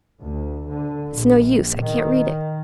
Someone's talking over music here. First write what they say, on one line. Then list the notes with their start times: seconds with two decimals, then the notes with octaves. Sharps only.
It's no use--I can't read it.'
0.22 D2
0.70 D3
1.14 A#1
1.81 D#3